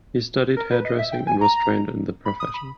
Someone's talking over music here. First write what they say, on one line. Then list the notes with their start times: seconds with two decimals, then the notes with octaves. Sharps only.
He studied hairdressing and was trained in the profession.
0.57 A#4
0.71 B4
0.85 D#5
0.99 E5
1.12 G5
1.27 G#5
1.41 A#5
2.25 B5
2.40 D#6
2.54 B5